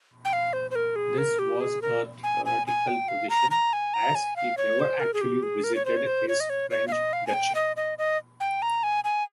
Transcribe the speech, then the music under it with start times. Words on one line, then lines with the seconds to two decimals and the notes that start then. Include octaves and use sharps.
This was a theoretical position, as he never actually visited his French duchy.
0.25 G5
0.33 F5
0.53 C5
0.71 C5
0.75 A#4
0.96 G#4
1.18 A#4
1.39 G4
1.61 G#4
1.82 A#4
2.23 G#5
2.45 G#5
2.67 G#5
2.87 G5
3.08 F5
3.30 A#5
3.51 A#5
3.73 G#5
3.94 A#5
4.15 G#5
4.36 F5
4.57 C#5
4.80 C5
5.00 A#4
5.14 G#4
5.21 G4
5.43 G#4
5.64 A#4
5.75 C#5
5.85 C5
5.97 C#5
6.07 C5
6.28 C#5
6.40 D#5
6.50 C#5
6.70 C#5
6.88 F5
6.92 D#5
7.13 F5
7.27 G#5
7.34 G5
7.55 D#5
7.76 D#5
7.98 D#5
8.40 G5
8.62 A#5
8.83 G#5
9.04 G#5